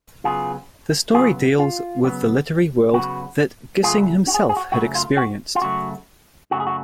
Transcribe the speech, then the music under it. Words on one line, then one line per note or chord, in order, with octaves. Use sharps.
The story deals with the literary world that Gissing himself had experienced.
C#3 F#3 B3 F4 G#4
C#3 F#3 B3 F4 G#4
F4
C#3 F#3 B3
C#3 F#3 B3 F#4
F#2 C#3 F#3 A3 F4 G#4
F#4
G#4
F#4
G#4
F#4
F#2 C#3 F#3 A3 F#4
F4
F#4
F4
F#2 C#3 F#3 A3 F#4
F#2 C#3 F#3 A3 F#4
G#4
F#4